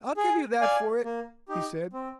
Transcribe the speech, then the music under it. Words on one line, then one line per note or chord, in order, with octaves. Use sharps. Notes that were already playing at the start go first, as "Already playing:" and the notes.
"I'll give you that for it," he said.
G#4
D5 F5 G#5
A#3
D#4 G4
C4